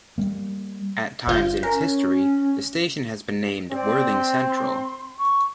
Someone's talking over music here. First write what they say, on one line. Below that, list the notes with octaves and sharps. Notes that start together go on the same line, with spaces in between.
At times in its history the station has been named Worthing Central.
G3 A#3
G1 F4 G6
C#4 A#4
C4 D5
C6
C#6